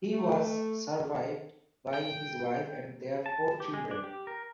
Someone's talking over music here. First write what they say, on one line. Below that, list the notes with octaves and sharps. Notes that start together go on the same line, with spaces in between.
He was survived by his wife and their four children.
A3
G5
A5
G4
G#3
D4
G4
A#4